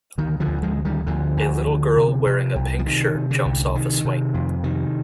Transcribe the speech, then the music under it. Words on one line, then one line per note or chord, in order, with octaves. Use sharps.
A little girl wearing a pink shirt jumps off a swing.
D2 D#3
D3 F3
D2
F3 G#3
D3
D#3 G3
D2 D3 F3
D2
D3
C3
C3
C2
F3
C3 D#3
C3
D3
C2
C3 D#3
C3
F2
C3 D#3